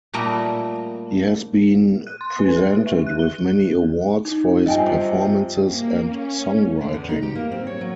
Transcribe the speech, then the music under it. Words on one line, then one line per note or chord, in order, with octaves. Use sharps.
He has been presented with many awards for his performances and songwriting.
A#2 G3 A3 A#3 D#5 A#5
F#6
C6
B4
G4
E5
F#6
G7
D#4
G2 C3 F3 D#5 G5 G#5
A#3
C#4
D3
E2
D#4
G4
A#3
C4
C#5
F#3